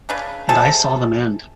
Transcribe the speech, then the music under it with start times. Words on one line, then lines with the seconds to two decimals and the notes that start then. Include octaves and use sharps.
And I saw them end.
0.09 C#3 D4 B4
0.49 C3 G#4 A4 A5